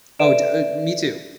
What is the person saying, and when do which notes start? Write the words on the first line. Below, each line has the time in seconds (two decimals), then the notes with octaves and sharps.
Oh, d uh, me too.
0.20 A4 B4 D5 E5 D7 E7